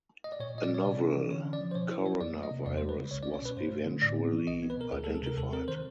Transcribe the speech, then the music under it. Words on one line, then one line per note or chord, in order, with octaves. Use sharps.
A novel coronavirus was eventually identified.
D#5
D5
A#2 C#5
A#2 D#5
D5
G3 C#5
C3 D5
C#4
E3
D3 C#5
C#4
D5
F3
C5
B2 C#5
E4 C5
F#3 C#5
F2 D5
A#3
D#5
C3
E2 D5
C5
G#3
B4
C#3
C2 C#5
D5
C#4
C#5
B2 B4
G2 C5
A3
D3
A2 D5
C4
E3
C2 D#5
B3
B4
B2 A#4
D2 G#4
A4
G#3 G#4
A4
C3 A#4
D#2 A4
C4 A#4
D#3 C5